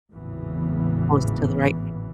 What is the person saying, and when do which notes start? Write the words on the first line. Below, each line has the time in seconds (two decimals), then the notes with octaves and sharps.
close to the right
0.12 G#1 E2 A2 C#3 E3 B3